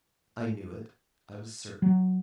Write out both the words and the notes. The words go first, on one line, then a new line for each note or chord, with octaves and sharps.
I knew it, I was certain.
F#3